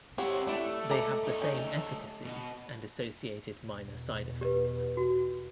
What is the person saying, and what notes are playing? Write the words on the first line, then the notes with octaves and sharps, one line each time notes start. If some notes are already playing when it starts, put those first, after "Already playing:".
They have the same efficacy and associated minor side-effects.
C4 E4 G4 C#5 F#5
A3 D4 E4
G#3 A4 A#5 D6
A3 D#5
C#4 D#4
B2
E2 B2
G4 B4
F#4